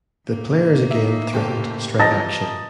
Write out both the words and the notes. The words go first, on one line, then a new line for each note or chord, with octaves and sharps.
The players again threatened strike action.
A2 A#3
D#4 E5
F#1 G4 A4
E3 F3 G3 D#5 A5 A#5 A6 A#6